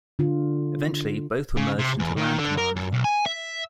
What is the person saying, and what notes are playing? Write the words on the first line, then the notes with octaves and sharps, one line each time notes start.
Eventually, both were merged into Land Command.
D3 F4
C#3
C3
E2
D#3
D3
A#4
F#2
B1
G#5
E5